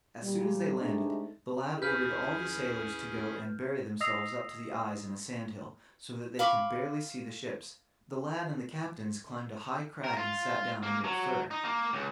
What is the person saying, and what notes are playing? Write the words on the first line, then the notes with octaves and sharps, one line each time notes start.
As soon as they landed, the lad ordered all the sailors to go and bury themselves up to the eyes in a sandhill, so that they could barely see the ships. The lad and the captains climbed a high crag and sate down under a fir.
A#2 G3
C3 G#3 A3 D4 D#4
D#2 C#4 E4 G#4 B4 F6 G6
D#5 D#6 E6 A#6 C7 F7
F5 B5 C#6 D6
A#4
F4
A#3
F#3
D#4
A#3
C#2